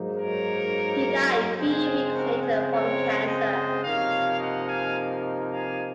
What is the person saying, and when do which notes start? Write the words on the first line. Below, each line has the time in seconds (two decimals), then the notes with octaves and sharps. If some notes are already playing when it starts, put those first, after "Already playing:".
He died three weeks later from cancer.
Already playing: G#2 F#3 A#3 D#4
0.17 A#4 C#5
1.57 C#3 F3 G#3 C4 G#4 C5
2.14 F#4 A#4
2.43 G#4 C5
2.71 A#4 C#5
3.27 C5 D#5
3.83 C3 F3 A#3 D#4 C#5 F5
4.40 D#5 F#5
4.68 F5 G#5
5.52 F5 G#5